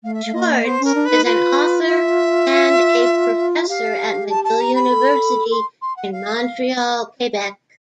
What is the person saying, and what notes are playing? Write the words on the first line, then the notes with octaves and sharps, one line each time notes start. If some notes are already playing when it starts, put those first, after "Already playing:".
Schwarcz is an author and a professor at McGill University in Montreal, Quebec.
A3 F5
E5
A3 F5
A#3 D#5
B3 C5
C#4 A#4
D4
D#4 B4
F4 B4
E5
G4 F5
A5
A5
A#5
B5
A4
C6
C6
F#5
F5